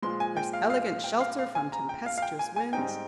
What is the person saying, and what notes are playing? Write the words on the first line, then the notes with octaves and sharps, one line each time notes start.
There's elegant shelter from tempestuous winds.
A#2 F3 G#3 C6
G#5
G5
F5
F5
F5
G5
F5
F5
G#5
A#5
G5
F5
F5
G5
G#5
G#5
G#2 G3 C4 D#4 G5